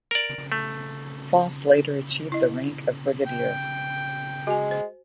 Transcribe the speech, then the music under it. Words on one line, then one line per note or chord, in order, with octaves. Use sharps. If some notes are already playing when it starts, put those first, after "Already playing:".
Foss later achieved the rank of brigadier.
A#4 D5
A3
E4 D#5
G5
G#3 F#4 G#5
C5